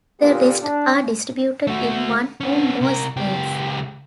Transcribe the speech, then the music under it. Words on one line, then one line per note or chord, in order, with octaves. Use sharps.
The rest are distributed in one or more states.
A#2 D3 B3 F4 G4
D4
A3 F#4
B3 C#4
C3 A#4
C#2 G4